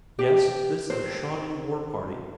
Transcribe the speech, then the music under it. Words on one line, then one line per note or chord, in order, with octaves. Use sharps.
Yes, this is a Shawnee war-party.
G4
C4